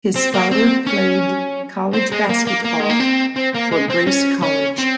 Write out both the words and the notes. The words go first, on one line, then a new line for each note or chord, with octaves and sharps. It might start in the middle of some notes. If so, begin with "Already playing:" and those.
His father played college basketball for Grace College.
C4
A#3
C4
C#4
C4
G#3
A#3
A#3
A#3
G#3
A#3
C4
C4
A#3
G#3
C4
C#4
C#4
C4